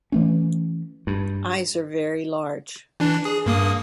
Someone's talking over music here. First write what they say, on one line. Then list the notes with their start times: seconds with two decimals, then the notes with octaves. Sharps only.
Eyes are very large.
0.12 E3 A3 C#4
1.07 G2
3.00 E3 D4
3.25 G#4
3.46 G2 A#3 D#6